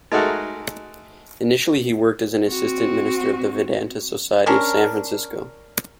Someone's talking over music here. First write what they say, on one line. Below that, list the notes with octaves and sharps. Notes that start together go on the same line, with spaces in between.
Initially he worked as an assistant minister of the Vedanta Society of San Francisco.
G#3 A3 D#4 F#4 A4 A#4
C4 F#4
C#4 D4 A#4